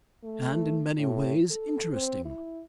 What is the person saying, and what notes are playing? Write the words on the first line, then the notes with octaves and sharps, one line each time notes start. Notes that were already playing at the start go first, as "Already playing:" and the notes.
And in many ways interesting.
A3
A2
A4
C4
E4